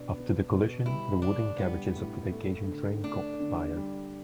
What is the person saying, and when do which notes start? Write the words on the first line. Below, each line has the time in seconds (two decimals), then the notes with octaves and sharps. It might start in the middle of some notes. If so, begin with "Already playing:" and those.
After the collision, the wooden carriages of the vacation train caught fire.
Already playing: B2 D4
0.13 B3
0.50 B2
0.86 G3 E4
1.22 D3 D4
1.58 G3 B3
1.95 A2
2.31 A3
2.67 D3
3.03 A3 D4
3.39 D3
3.76 G3